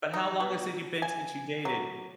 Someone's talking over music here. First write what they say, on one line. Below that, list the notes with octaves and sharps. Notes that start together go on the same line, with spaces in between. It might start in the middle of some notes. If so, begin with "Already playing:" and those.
but how long has it you've been since you dated?
D#4
B2
G#5
F#3